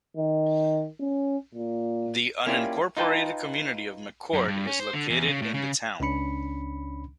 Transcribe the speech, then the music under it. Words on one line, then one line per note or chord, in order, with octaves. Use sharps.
The unincorporated community of McCord is located in the town.
D#3
C#4
A#2
A#3 C#4 E4 F4 G4 D5
D#4 F4 B4 G5 A5
F#2
G2
C#4
C5
D3
E2
C#3
A2
C#3
C#2 C#4 D4 B5 C#7